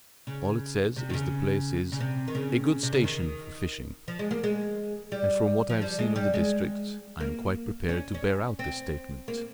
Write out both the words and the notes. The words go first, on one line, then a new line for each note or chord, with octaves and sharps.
All it says is the place is "a good station for fishing;" and, from what I have seen of the district, I am quite prepared to bear out this statement.
C#3
C3
D#3
C#3
C#3
C3
D#3
C#3
C3
C#3
D#3
F3
G#3
A#3
G#3
G3
F3
G3
G#3
G3
G#3
A#3
C#4
C#4
C4
A#3